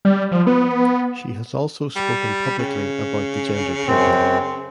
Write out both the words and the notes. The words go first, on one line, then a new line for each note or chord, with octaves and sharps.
She has also spoken publicly about the gender pay gap.
G3
F3
B3
G3
C#3
F#2 C4